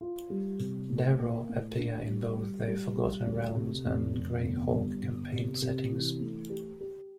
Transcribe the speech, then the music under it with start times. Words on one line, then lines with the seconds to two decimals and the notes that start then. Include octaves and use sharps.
Derro appear in both the Forgotten Realms and Greyhawk campaign settings.
0.01 F4
0.30 G3
0.59 C3
0.90 A2
1.19 A#3
1.49 A2
1.78 D4
2.07 G3
2.37 G3
2.67 G3
2.97 G3
3.26 D2
3.55 C3
3.85 F1
4.14 F1
4.44 G1
4.73 G2
5.02 G1
5.32 C3
5.62 C3
5.91 E3
6.21 A3
6.50 G4
6.81 G4